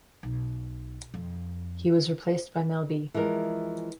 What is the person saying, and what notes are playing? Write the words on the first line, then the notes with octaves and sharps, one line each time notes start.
He was replaced by Mel B.
B1
F2
E3 F3 G#3 A#4